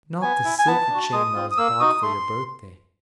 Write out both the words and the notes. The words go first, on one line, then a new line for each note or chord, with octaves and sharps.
Not the silver chain that was bought for your birthday?
B3 G#5
E4
G#5
B3 A5
D4 F#4
G#3 D#6
C4 F4
D#6
A#3 E6
D#4 F#4 D#6
A3 C6